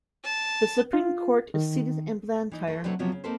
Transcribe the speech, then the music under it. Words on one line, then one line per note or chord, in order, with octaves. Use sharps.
The Supreme Court is seated in Blantyre.
A5
F4
D#3
E3 D#4
A3
C3 F#3 A3 C4 D4 B4
C3 F3 F#3 B3
C#3
A#3 C4 D#4 A4 B4 C5